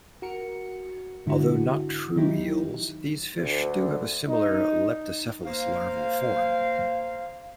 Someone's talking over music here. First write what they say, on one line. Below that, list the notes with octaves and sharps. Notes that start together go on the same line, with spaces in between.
Although not true eels, these fish do have a similar leptocephalus larval form.
F#4 A#4 C#7
G#2 D3 E4 F#4
D#3 F#3 D#4 E4 G4
D2
D#4
A#3 C5 F5